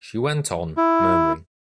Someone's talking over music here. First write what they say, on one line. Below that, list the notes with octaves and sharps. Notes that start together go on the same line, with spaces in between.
She went on, murmuring.
E4